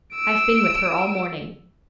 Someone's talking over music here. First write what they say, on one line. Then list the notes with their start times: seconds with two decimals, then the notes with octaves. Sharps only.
I've been with her all morning.'
0.15 E6 D7